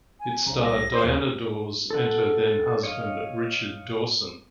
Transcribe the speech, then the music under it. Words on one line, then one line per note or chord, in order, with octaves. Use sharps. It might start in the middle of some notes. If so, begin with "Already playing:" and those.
It starred Diana Dors and her then husband Richard Dawson.
G#5
C2 A#5
A#6
C5 B5
D#2
A4 F#5
C#5 D#5 F5